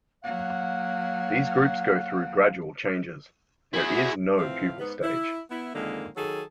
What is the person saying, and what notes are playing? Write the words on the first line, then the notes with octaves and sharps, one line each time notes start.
These groups go through gradual changes; there is no pupal stage.
F#3 A#3 F5 F#5
E4 F#4 G#4 E5
A2 E3 F3 C4 F5
G#2 B3
E4
B3 E4
F2 D3 D#3 G#3 A#3
D#3 F#3 G#4 A4